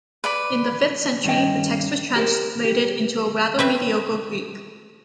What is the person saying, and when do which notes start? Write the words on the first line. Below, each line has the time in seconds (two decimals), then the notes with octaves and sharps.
In the fifth century, the text was translated into a rather mediocre Greek.
0.24 B4 D5 B5
1.24 G2 D#3 C#4 D#5 G5
2.16 G4 A#4 C5
2.65 G4
3.59 C4 B4 E5